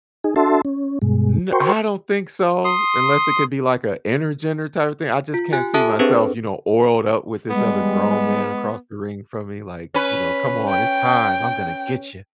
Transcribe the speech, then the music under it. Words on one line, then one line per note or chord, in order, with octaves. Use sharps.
N I don't think so, unless it could be, like, a intergender, type of thing? I just can't see myself, you know, oiled up with this other grown man across the ring from me, like, you know, "Come on, it's time, I'm gonna get ya.
D#4 G#4
D4 F#4 A4 E5 A5 C6
C#4
G2 B2 G#3
F#4 A#4 C5 G5 C6 C#6
C6 D#6
F4
F4 G4 G#5 F#6
G4 A4 E5 A5 D#6 F#6
C4 D4 G#4 A4 B4 C5
G3 G#3 B3
C#4 B4
G5